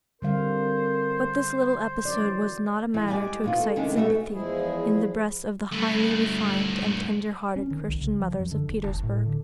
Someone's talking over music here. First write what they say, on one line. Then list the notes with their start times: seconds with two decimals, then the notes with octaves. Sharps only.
But this little episode was not a matter to excite sympathy in the breasts of the highly refined and tender-hearted Christian mothers of Petersburg.
0.22 D3 G3 C4 A#4 C5 F5
2.05 F#2 E3 F#3 D5
2.94 E3
3.07 G3 G#3 G4 D5 G#5
3.44 D#2 B2 F4
3.59 A4
3.76 C3 D#3 G#3 C#4 D4
3.96 B2 A3 E4 F#4 G#4 E5
4.32 E2 F3 G#3 E4 G#4
5.72 G2 A3
7.56 C#4
7.71 D#3
7.89 B1
8.01 C#3
8.20 F3
8.40 F#2
8.52 D3
8.68 D#1
8.88 F#1
9.03 A2
9.26 D3